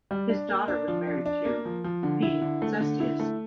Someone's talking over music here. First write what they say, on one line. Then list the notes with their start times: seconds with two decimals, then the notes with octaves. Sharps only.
His daughter was married to P. Sestius.
0.11 G3
0.29 D4
0.49 A#3
0.68 D4
0.88 F3
1.07 D4
1.26 D4
1.45 A#3
1.65 F3
1.84 F3
2.03 D3
2.22 E4
2.42 D3
2.62 A3
2.80 D3
3.00 E4
3.20 A3